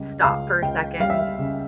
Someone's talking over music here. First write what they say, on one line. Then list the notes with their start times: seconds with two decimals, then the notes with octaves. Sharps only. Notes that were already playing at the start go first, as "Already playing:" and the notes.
stop for a second and just
Already playing: C#2 C#3 G3
0.24 C#2 F5
0.62 C#2 G5
1.00 G3 F5
1.10 E5
1.19 F5
1.39 C#3